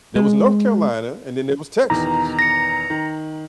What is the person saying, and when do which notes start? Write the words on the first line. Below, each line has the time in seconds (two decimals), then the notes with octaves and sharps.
There was North Carolina, and then there was Texas.
0.16 G#3
1.90 E2 B2 D#3 A#5
2.39 A#6 C#7
2.90 D#3